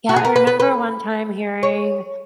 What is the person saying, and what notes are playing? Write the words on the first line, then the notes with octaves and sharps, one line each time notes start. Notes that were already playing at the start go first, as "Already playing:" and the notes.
Yeah, I remember one time hearing,
F#4
G#4
A#4
B4
B4
B4
C#5